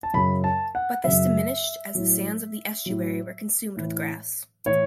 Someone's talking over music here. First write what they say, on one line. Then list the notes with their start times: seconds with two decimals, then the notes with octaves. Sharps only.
But this diminished as the sands of the estuary were consumed with grass.
0.03 A5
0.14 F#2 C#3 F#3 B5
0.44 A5
0.75 F#5
1.04 F#2 C#3 F#3 E5
1.95 A2 F#3
2.86 A2 F#3
3.76 A2 E3
4.66 A2 E3 C#5